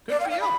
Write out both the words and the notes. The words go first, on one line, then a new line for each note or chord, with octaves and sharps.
Good for you.
D5
F5
G5
F5
B5